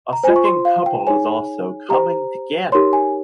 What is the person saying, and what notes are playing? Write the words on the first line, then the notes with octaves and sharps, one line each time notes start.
A second couple is also coming together.
A#5
F4 C5 G#5
C#6
C6
F5
G5
D#4 G#4 C#5 G#5
G4 C5 A#5
D#4 G4 A#4 C#5 C6
G#5